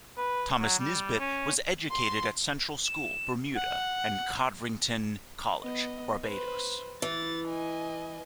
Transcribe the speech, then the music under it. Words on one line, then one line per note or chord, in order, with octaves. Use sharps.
Thomas Nisbett was educated at Central School, Bermuda, and Codrington College, Barbados.
B4
F#3
G3
C#4
C6
E7
F#5
B3 D#5
B4 C5
E3 A6
D#5 G#5